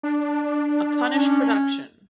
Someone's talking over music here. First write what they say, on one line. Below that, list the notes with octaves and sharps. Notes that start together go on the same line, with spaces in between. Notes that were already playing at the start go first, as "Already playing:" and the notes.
A Punish Production.
D4
C#4